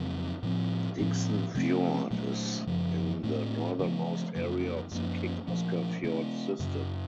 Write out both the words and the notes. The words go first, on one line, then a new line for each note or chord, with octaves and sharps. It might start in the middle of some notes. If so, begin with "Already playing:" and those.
Dickson Fjord is in the northernmost area of the King Oscar Fjord system.
Already playing: F2 C#3 F#3 C4
A2 F3 C4
A2 F3 C4
C3 F3 A3 C4
A#2 F#3 A3
F#2 C#3 F3
A2 A3 C4
C#3 F3 A3
F2 C#3 F#3 A#3
F#2 F3 A#3 C#4
A#2 F3 A3 C#4
C#3 A3 C4
F#2 C#3 F#3